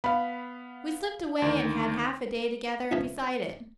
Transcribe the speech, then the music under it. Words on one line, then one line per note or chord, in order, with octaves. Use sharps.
We slipped away and had half a day together beside it.
B3 F5 B5
D2 D#3
C#2 C3 F3 C#4 C#5 E5